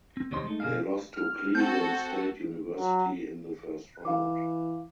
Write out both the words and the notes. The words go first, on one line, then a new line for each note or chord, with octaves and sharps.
They lost to Cleveland State University in the first round.
C4
D#2 C3 C5 C#5 D#5 C6
G#3 A3 D#4
B2 D3 A#3 G#4 F5
F6
C4 F#4 A4 G6
F#3
E3 F5 D6